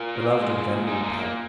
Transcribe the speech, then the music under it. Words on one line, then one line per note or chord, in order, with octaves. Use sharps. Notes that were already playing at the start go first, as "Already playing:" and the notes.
Beloved and venerable parent!
Already playing: F4 A#4
A#2
G#3
A#2
G#3 D#4 G#4
A#3 D#4
A#2
A#3